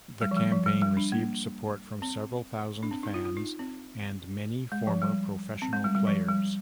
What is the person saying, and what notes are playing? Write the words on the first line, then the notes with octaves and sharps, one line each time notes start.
The campaign received support from several thousand fans and many former professional players.
G3
F3
G3
F3
G3
G3
D4
A#3
C4
D4
C4
D#4
F4
F4
D#4
C4
G#3
F3
G3
C4
G#3
G3
G3
F3
G3